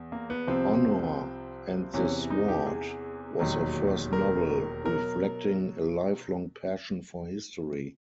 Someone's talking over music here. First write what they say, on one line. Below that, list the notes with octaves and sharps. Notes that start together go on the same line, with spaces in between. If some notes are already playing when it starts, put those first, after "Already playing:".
Honour and the Sword was her first novel, reflecting a lifelong passion for history.
Already playing: E2
A#3
B3
C2 C3 F3 C4
E2 C3 E3 C#4
D#4
G4
G#4
E1 D#2 D#3 F#3
A#4
B2 F#3 A#4